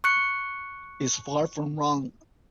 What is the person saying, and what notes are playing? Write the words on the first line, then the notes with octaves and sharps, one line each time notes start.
Is far from wrong!
C#6 F#6 C#7